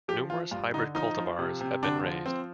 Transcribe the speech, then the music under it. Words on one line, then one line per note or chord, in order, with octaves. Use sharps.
Numerous hybrid cultivars have been raised.
F3 G4
F3 F4
G2 F4
D3 D#4
F3 D#4
F3
C3
C3
D3 D4
F3
F3 C4